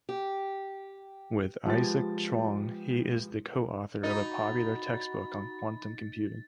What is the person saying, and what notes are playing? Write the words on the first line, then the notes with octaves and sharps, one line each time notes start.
With Isaac Chuang he is the co-author of a popular textbook on quantum computing.
G4
F3 G#3 G4 B4 A6
D#4 F#4 B5 A6